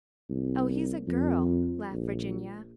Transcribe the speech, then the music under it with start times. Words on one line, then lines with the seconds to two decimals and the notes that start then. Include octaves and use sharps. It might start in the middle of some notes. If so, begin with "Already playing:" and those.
"Oh, he's a girl!" laughed Virginia.
0.29 C2
1.08 F2
1.92 A#1